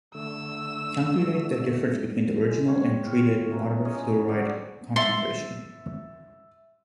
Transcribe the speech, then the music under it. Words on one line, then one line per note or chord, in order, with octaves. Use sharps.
Calculate the difference between the original and treated water fluoride concentration.
D3 A3 E6
G#3
C5 C#5 F5 G5
C#5 F5 G5
E3 F#3 A#3 C#4
C#4 F4 G#4 D#5
D3 G3 F#4 D5
E5 C6 A6 C#7